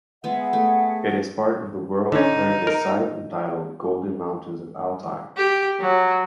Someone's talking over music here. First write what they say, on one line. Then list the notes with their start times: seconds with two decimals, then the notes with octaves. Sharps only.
It is part of the World Heritage Site entitled Golden Mountains of Altai.
0.24 G#3 B3 G#4 E5 F#5
0.53 A3
2.12 D3 C#4 D#4
2.67 A#4
5.37 G4
5.80 F#3